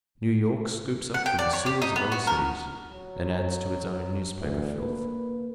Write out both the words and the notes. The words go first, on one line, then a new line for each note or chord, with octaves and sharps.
New York scoops up from the sewers of other cities, and adds to its own newspaper filth.
F#5
G5
D5
C#5
G4
D#4
B3
F#4
A#4
F#3
D2 E3
A#3 B4